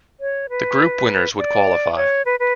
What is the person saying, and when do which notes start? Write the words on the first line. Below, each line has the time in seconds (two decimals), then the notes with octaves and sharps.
The group winners would qualify.
0.20 C#5
0.50 B4
1.37 D5
1.96 C#5
2.25 B4
2.40 B4